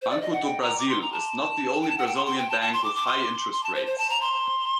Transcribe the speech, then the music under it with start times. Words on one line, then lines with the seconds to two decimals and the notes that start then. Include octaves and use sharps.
Banco do Brazil is not the only Brazilian bank with high interest rates.
0.02 C5
0.10 D5
0.21 D#5
0.33 F#5
0.44 G5
0.61 A#5
0.78 D6
0.89 C6
1.01 A#5
1.12 A5
1.81 G5
1.89 A5
1.98 F#5
2.07 G5
2.16 C6
2.26 C6
2.38 G5
2.50 A5
2.61 A5
2.73 C6
2.84 D6
2.96 D6
3.07 C6
3.52 C6
3.64 A5
3.75 C5
3.87 C5
3.98 A5
4.10 A#5
4.21 C6